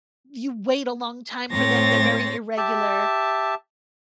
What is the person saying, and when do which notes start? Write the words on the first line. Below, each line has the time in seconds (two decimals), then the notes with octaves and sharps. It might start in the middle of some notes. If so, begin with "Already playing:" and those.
you wait a long time for them, they're very irregular,
1.50 A2 C4 C5 C#5 A6 A#6
2.57 G4 E5 A5